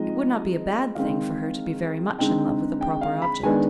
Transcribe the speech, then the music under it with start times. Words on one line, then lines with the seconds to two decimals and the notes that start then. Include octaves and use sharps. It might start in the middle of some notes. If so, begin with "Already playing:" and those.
It would not be a bad thing for her to be very much in love with a proper object.
Already playing: F3 G#3 C4 D#4 D#5
0.95 D#3 G#3 C4 F5
2.19 D3 G#3 C4 D#4 G5
2.81 G5
3.01 F5
3.22 B5
3.43 D#3 G#3 B3 D4 G#5